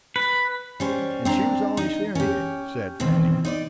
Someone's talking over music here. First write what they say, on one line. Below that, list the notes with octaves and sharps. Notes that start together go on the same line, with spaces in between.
"And she was always fearing it," said Fanny.
B4
G3 C#4 C5
C4 D4 A#5
D#4 D#5
C#4 G4
B2 D#3 E3 C4
D#4 C5 D5